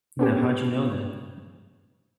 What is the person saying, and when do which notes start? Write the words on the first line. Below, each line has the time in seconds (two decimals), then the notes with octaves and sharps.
Now how'd you know that?
0.19 B3 C#4 G4